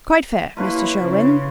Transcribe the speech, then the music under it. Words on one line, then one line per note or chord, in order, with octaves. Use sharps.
"Quite fair, Mr. Sherwin."
A#3 E4 F4 B4 C#5
C#3